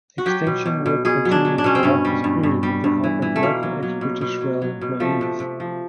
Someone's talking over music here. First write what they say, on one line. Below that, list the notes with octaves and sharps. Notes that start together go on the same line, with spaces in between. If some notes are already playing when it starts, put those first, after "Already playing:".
Extension work continued throughout this period with the help of local ex-British Rail employees.
F#4
F#3 G4
B2
B2
B2
B2 G#4
F#3
D4
F#3
D4
B2 C#4
C4
G2 C#4
G3
G2
G2
G3
G2
E3
E3
A3
B2 A#3
F#3
F#3
B2
B2
F#3
F#3
B2
F3 A3
C3
C3
F3